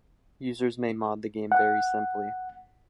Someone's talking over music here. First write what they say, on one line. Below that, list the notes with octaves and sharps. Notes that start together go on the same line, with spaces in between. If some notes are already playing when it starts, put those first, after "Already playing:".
Users may mod the game very simply.
F#5